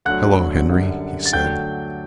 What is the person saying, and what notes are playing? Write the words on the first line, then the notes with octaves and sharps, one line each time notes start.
"Hello, Henry," he said.
D2 D3 F#3 F#5 F#6
F#2 D3 G3
A6
D2 D3 F#3 G5 G6